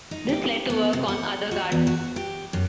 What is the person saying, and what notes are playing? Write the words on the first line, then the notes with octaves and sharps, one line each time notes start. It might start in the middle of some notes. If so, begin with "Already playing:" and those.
This led to work on other gardens.
D#4
G4
B3
C3
F#5
F#4
E2
F#4
G4
F#2